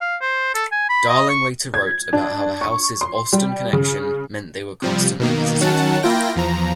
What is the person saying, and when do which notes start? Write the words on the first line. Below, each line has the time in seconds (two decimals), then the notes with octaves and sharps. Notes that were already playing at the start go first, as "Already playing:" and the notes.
Darling later wrote about how the house's Austen connection meant they were constantly visited.
0.01 F5
0.22 C5
0.55 A4
0.72 G#5
0.89 B5
1.09 D#5
1.29 C#6
1.74 G#6
2.13 D4
2.61 C#6
3.01 C6
3.33 G3
3.73 C#3
4.82 C3 F3 G3
5.20 B2 D#3 A#3
5.60 D#3 F#3 C#4 F#5 A5
6.03 A#3 E4 F4 G5 A#6
6.36 E2 F3 A#5